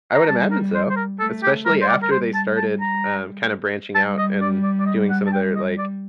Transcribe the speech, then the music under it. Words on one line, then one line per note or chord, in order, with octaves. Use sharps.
I would imagine so. Especially after they started, um, kinda branching out and doing some of their, like,
A#5
G3 A5
A#4
C5
C5
A#4
A3 A4
G4
G3 A#4
C5
D5
A#4
G3 C5
A5
A5
A#5
G3 A5
D#5
D5
D5
D5
D#5
F#5
A5
G5
D#5
D5